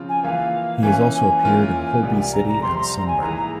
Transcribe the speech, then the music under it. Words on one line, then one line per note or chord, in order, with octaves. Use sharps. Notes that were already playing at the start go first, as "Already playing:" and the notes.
He has also appeared in "Holby City" and "Sunburn".
Already playing: C#3 F3 C4 F4
G#5
E3 A#3 F4 F5
E3 A#3 C#4 G#5
G#5
G#5
E3 A#3 C#4 F4 A#4
C2 C3 G3
A#5
A#5
F2 C3 G3 C4 C6
A#5
A#5
G#5
G#2 E3 A#3 E4 G#4 A#5
A#5